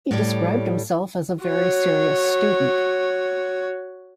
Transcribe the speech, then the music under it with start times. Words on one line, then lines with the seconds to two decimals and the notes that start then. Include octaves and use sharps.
He described himself as a very serious student.
0.11 A2 G3 C#5 D5
1.44 F#4 C#5